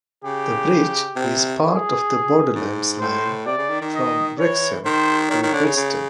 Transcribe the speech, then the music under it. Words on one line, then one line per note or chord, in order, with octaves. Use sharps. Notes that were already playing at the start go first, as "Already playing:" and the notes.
The bridge is part of the Borderlands Line from Wrexham to Bidston.
C#3 G4
C3
G#4
G#2
A2 C5
C3 D5
C#3
D#3
D#3
D#5
E3 C#5
D#3 C5
D#3 C#5
D#3
D3
C#3
C#3